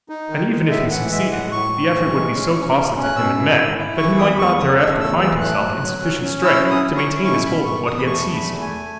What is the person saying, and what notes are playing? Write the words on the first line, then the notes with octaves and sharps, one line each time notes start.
And even if he succeeded, the effort would be so costly to him in men that he might not thereafter find himself in sufficient strength to maintain his hold of what he had seized.
D#4
D#3
G#3
A2 E5
E3 F#5
G#3 E5
A2 F#5
A2 C#6
A2
E3
G#3
C#4
B2
C#4
C#4
F#6
B2 E6
E4
E4
E4
E3 C#6
E2 D#6
B5
E2 C#6
C#3 D#6
A3 E6
E2 E6
E3 E6
A3 F#6
F#3
F#3
C#4
C#4
E4 E6
F#3
D#6
C#4
C#6
E4
B2 C#6
B2 B5
B2 C#6
E2 D#6
B5
A3 C#6
E2
B5
A3
G#5
A3